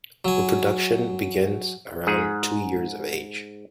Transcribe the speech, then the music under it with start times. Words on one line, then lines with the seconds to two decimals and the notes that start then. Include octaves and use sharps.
Reproduction begins around two years of age.
0.25 F#3 G#5
2.07 G#2 G#4